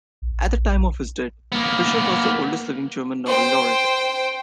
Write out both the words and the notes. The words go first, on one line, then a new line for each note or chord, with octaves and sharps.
At the time of his death, Fischer was the oldest living German Nobel laureate.
A#1
A#3 B3
C5 G5